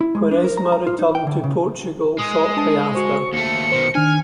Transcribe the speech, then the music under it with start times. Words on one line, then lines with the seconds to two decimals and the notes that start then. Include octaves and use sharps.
Quaresma returned to Portugal shortly after.
0.01 E4
0.15 G#3
0.31 D4
0.44 A#4
0.57 A#5
0.72 A#5
0.87 F4
0.99 D#4
1.15 G5
1.27 D3
1.43 C#3
2.19 G#3 D#6
2.57 D4 A5
2.95 F#4 C5 C#6
3.33 D#2 A3 C#7
3.72 B2 D#3 C5
3.95 D#3 D4 G#5 F6